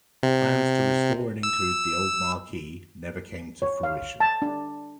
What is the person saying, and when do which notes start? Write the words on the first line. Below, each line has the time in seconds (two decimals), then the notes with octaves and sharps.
Plans to restore and include the old marquee never came to fruition.
0.23 C3
1.43 E6
3.62 C#5
3.83 F5
4.20 A5
4.42 D4